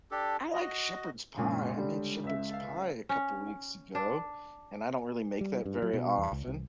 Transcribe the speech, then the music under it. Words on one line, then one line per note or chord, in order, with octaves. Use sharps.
I like shepherd's pie, I made shepherd's pie a couple weeks ago, and I don't really make that very often,
D4 G4 A4
F#4 D#5
A#1 F#2 A#2 C#3 G#3
D3 G3
C#2 E5
A4 F5
C#4
D4
G3
G2
F#3
B2
E2
C#2
C2